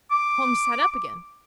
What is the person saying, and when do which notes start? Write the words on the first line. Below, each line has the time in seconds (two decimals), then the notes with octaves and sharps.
Holmes sat up again.
0.11 D6